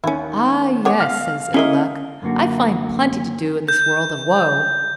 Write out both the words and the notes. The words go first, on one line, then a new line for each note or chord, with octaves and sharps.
"Ah, yes," says Ill-Luck, "I find plenty to do in this world of woe."
D#2 C#4 E4
B3 C#5 F#5 D6
F5 F6
G#3 A#3 C#4 E4 D#5 E5
F#2 D3 A#3 F#4
G6